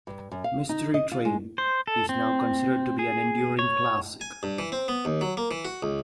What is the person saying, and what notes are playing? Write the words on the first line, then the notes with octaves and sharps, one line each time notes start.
"Mystery Train" is now considered to be an "enduring classic".
G2
F#2
F5
D#4
D#5
F4
G#3
C5
A4
C4
G#4
C#5
G#5
G2
E3
C4
B3
D#2
F#3
A#3
E3
F#4
C#2